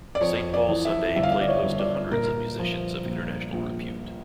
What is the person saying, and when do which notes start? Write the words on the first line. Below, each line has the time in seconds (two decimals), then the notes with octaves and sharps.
"Saint Paul Sunday" played host to hundreds of musicians of international repute.
0.15 D5
0.21 F2 C#5
0.53 D5
0.68 E3
0.85 E5
1.16 G1 E5
1.23 F5
1.32 E5
1.41 D5
1.48 C#5
1.63 G1
1.79 D5
2.12 A#2 A#4
2.59 F3
3.06 A#1
3.53 A#1